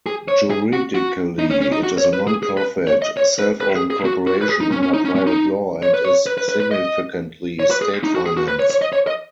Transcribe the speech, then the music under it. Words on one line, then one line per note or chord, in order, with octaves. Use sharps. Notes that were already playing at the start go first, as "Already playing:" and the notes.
Juridically it is a nonprofit self-owned corporation under private law and is significantly state-financed.
G#4
C#5
G#4
F#4
F#4
D#4
C#4
C#4
D#4
F#4
C#5
B4
G#4
G#4
B4
C#5
D#5
C#5
B4
B4
G#4
G#4
F#4
F#4
B4
G#4
D#4
C#4
C#4
D#4
C#4
C#4
D#4
C#5
B4
C#5
B4
B4
B4
B4
D#5
C#5
B4
G#4
D#4
F#4
G#4
F#4
B4
C#5
C#5
D#5
C#5
D#5